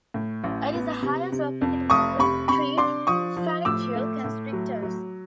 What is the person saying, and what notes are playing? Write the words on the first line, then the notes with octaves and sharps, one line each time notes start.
It is the highest located muscle of the three pharyngeal constrictors.
A2
A1
B3
C3
C3
F2
F1 C#6 D#6
C3 B5 C#6
C3 B5 C#6
D4 C6 D6
F3 C#6 D#6
F3
A2 D6 E6
A3
A2
F#3
F#3